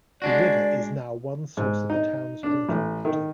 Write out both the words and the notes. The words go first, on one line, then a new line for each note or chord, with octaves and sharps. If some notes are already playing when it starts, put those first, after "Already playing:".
The river is now one source of the town's drinking water.
G#3 D4 F#4 D5
G#2
D#4
D4
A1
D#3